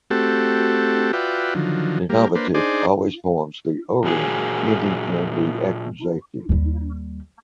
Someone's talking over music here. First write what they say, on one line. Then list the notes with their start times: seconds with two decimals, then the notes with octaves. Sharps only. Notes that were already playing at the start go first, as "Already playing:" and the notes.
The nominative always forms the "-orem" ending in the accusative.
0.10 A3 C4 F#4 G4 A4
1.13 F4 F#4 B4 D5 E5 G5
1.55 D3 D#3 F3 F#3
2.09 G3 A#3
2.35 A#3 D4 B4 C5
2.54 D4 D#4 G#4 C5 D5
4.04 A#2 F#4 G#4
6.49 D#2 G3